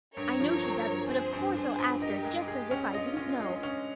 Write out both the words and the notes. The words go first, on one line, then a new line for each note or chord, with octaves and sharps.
I know she doesn't but of course I'll ask her just as if I didn't know.
G2 A#4 C#5
F3
C4
G2
C4 G#4 C5
G2
G2 G#4 C5
G2
G4 A#4 D#5
G#3
G4 G#4
C#4
F4 D#5
C#4
G#3
C#4